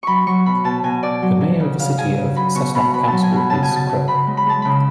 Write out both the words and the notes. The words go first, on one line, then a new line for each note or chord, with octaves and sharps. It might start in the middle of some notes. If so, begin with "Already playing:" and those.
The Mayor of the City of Cessnock Council is Cr.
F#3 B5 C#6
F#3 C#6
B2 B5
B2 A5
B2 G#5
B2 D5
F#3
F#3
C#3
C#3 F5
C#3 G#5
C#3
F#3 B5
B2 C#6
B2 B5
B2 B5
F#3 A5
G#5
B2 B5
C#3 A5
G#5
C#3
A5
C#3
C#3 B5
G#3
B5
G#3 A5
C#3 B5